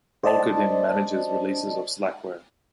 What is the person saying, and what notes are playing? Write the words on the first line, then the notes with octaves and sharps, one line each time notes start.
Volkerding manages releases of Slackware.
C5 D5 D#5 A5